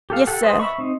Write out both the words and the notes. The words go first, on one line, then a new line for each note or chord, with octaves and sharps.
"Yes, sir."
G4 A4 F5
G4 A4 F#5
B4 C5 D#5
E5 B5 C#6
C4 D#4